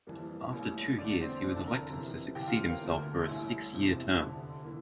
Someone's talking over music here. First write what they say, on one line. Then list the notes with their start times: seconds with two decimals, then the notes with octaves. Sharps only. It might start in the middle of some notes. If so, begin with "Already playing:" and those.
After two years he was elected to succeed himself for a six-year term.
0.07 F2 E3 G3 A#3
0.53 A1 A2 G3 A#3
0.98 E2 D3 A3 D4 D5
1.22 C4 C5
1.44 F1 E2 D3 D4 D5
1.56 A4 A5
1.68 A#4 A#5
1.90 F2 C3 E3
2.35 G1 F2 C3 E3 G4 G5
2.47 F4 F5
2.70 A#3 A#4
2.81 D2 D3 A3
3.27 A1 A2 G3 E4 E5
3.73 F1 E2 C3 F3
4.19 F1 F2 D3
4.64 E3 A#3